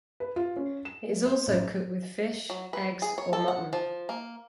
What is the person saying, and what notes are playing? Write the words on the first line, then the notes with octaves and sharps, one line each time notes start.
It is also cooked with fish, eggs or mutton.
B4
F4
C#4
E7
C5
A1
F#3
B4
G#4
C#5
A4
F#5
F3
A#3